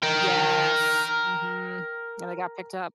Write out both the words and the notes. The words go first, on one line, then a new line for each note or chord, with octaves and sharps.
Yes, mhm, and they got picked up.
A#4 G5